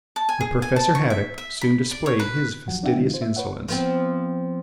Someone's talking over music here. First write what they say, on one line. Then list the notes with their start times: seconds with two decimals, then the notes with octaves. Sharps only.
But Professor Haddock soon displayed his fastidious insolence.
0.16 A5
0.29 G#5
0.41 G#4
0.62 G#5
0.76 A5
0.95 C#6
1.10 E5
1.38 E5
1.61 B5
1.91 D5
2.06 C#5
2.20 B4
2.68 D#2 F3 F#3 F#5
2.83 C4 D4 F4 E5 F#5 G5
2.95 D3 E3 G#3 C#4 D#4 E4
3.10 F4 C5
3.22 E5
3.36 B4 C#5 F#5
3.68 F3 B3 C4